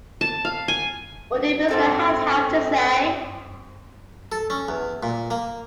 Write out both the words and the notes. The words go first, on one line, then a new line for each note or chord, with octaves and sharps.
What did Mr. Haight have to say?
A5
F5
G#5
G#2 C4 A4 C5
A4
C#4
E2
A#2
A#3